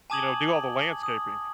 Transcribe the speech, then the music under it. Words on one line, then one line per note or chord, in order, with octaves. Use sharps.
you know, do all the landscaping.
G#5 A5 D6 D#6 G#6 F#7
D#6